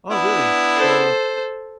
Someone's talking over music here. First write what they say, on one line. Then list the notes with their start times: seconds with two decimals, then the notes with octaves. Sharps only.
Oh, really? So
0.11 B3 D4 E4
0.75 A4 C5